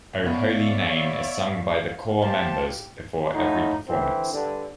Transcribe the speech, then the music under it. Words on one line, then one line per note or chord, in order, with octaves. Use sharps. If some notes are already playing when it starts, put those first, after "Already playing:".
"O Holy Name" is sung by the corps members before every performance.
B2 B3 C#5 D5 E5 F5
G4 C5 F5 A5
A2 D#4 F4 F#4
D3 E3 C4
G2 D3